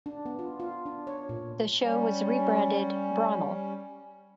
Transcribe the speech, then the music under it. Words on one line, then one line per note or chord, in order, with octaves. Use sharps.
The show was rebranded Bromell!
D4
B3
F4
F4
D4
C#5
A#2
G3 C#4